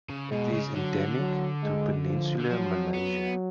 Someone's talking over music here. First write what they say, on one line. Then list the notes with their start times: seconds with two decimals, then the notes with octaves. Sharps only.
It is endemic to Peninsular Malaysia.
0.09 C#3
0.31 B2 G#3
0.53 C#3
0.75 D3 F#3
1.19 F#3
1.63 G#3
2.06 F3
2.40 D3
2.50 F3 F#3
2.94 B3